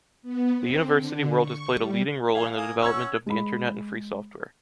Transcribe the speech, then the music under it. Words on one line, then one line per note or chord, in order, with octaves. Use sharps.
The university world has played a leading role in the development of the Internet and free software.
B3
C4
D3
C#6
G3
E3 F5 G#5
A#3 G#5 D#6
C#4 F#5 C#6 E6 G#6
G#3 B5